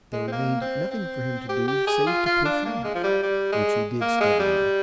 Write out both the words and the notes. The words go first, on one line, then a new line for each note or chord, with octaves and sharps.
There remained nothing for him to do save to push on, which he did stubbornly.
G#3
C4
A#3
C4
C4
G4
G4
G#4
F4
F4
D4
A#3
G#3
F3
G3
G3
G#3
A#3
G#3
G3